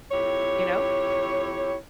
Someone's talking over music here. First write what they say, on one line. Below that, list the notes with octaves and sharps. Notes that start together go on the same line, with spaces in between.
you know?
F2 E4 G4 C#5